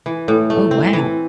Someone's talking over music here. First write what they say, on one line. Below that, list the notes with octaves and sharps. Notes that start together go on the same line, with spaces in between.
Oh, wow.
E3
A2
A3
C4
E3